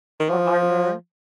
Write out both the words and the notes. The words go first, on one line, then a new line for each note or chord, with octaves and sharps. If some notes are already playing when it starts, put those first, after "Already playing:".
Or harder?
D#3
F3